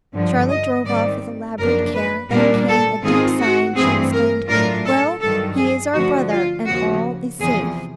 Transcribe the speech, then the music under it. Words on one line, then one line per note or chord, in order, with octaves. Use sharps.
Charlotte drove off with elaborate care,--then came a deep sigh, and she exclaimed, 'Well! he is our brother, and all is safe.'
G2 D3 F3
D#5
G#2 D#3 G3 C4 D5
F#2 C#3 F3 A#3 D4 A#4
B4
A#2 G3 A#3 D4 A#4
A4
G#2 D#3 G#3 C4 F4 G#4
F#4
G2 E3 A3 C4 G#4
A#4
A2 F#3 A3 D4 F4 A#4
A4
G2 D#3 F#3 A4
G#4
D3 F3 A3 F#4
F4
D#2 C#3 F3 A#3 F#4
E2 C3 F3 G#4